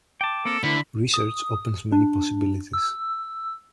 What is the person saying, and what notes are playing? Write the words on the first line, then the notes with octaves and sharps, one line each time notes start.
Research opens many possibilities.
G5 A5 D6
A#3 C4 A4 A#4
D3 A3 E4 A#4 C5 B5
D#6
D4
E6